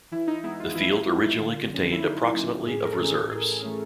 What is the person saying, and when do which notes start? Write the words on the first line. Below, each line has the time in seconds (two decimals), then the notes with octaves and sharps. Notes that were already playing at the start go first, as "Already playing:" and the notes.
The field originally contained approximately of reserves.
0.11 E3 E4
0.27 D#4
0.43 G#3 B3 E4
0.60 F4
0.75 E3 E4
1.07 G#3 B3
1.39 D3 F4
1.71 F#3 A#3 C#4
1.92 E4
2.03 D3 D#4
2.34 F#3 A#3 C#4 D#4
2.67 A2 G#4
2.85 A#4
2.92 A4
2.99 E3 A3 C#4 G#4
3.31 A2 G#4
3.62 E3 A3 C#4